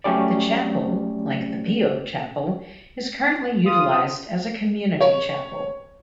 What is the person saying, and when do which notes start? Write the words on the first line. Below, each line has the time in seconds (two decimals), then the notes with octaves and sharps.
The chapel, like the Pio chapel, is currently utilized as a community chapel.
0.04 F#3 A3 C#4 G4 D5
3.66 F4 D#6
5.01 C#5